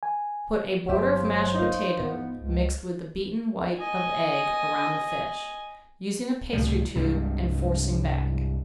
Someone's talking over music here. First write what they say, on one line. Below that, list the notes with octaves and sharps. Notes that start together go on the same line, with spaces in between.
Put a border of mashed potato mixed with the beaten white of egg around the fish, using a pastry tube and forcing bag.
G#5
G1 E3 F#3 G4 C5 E5
D#4 F4
G#2 B3
C#2
D#5 G#5
C#2 A2 C3 G3
C2 G2 C3 G#3